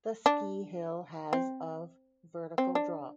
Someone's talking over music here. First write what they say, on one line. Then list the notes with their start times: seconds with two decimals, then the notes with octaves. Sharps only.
The ski hill has of vertical drop.
0.26 D4
1.33 C4
2.58 C4
2.75 D4